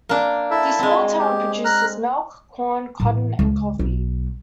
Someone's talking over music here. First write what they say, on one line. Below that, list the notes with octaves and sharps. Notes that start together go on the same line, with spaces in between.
The small town produces milk, corn, cotton, and coffee.
A#3 D4
E4 A4 E5
G#3 C4
G4
A#5 F6 F#6
A2 E3
C#2
B1